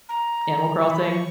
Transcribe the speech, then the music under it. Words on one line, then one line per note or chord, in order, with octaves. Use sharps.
Animal Crossing?
A#5
C#6
B5
C#6